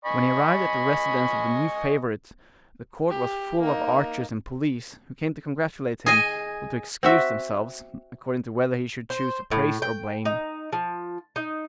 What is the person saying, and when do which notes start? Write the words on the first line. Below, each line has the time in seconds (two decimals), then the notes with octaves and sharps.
When he arrived at the residence of the new favorite, the court was full of archers and police, who came to congratulate him, or to excuse themselves, according to whether he should choose to praise or blame.
0.05 D#5 G#5 B5 C#6
3.10 G4
3.61 A#3 D#4
6.06 G#4 D#5 G#5
7.03 C4 F#4 E5
9.10 C5
9.51 A2
9.82 G5
10.25 D#4
10.73 F3
11.36 D#4